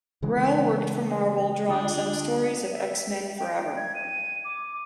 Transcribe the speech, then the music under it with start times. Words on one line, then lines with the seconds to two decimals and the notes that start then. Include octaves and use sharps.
Grell worked for Marvel drawing some stories of "X-Men Forever".
0.22 C#3 E3 G#3
1.69 D2 D4 F4 D#5
2.72 E5
3.38 G5
3.77 G#6
3.95 D#7
4.45 D6